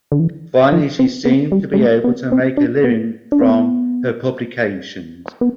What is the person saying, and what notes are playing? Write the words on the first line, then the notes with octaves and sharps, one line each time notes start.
Finally she seemed to be able to make a living from her publications.
D3
E3
F3
C4
B3
G3
G3
A3
B3
C4
D4
B3
D4
C4
B3
B3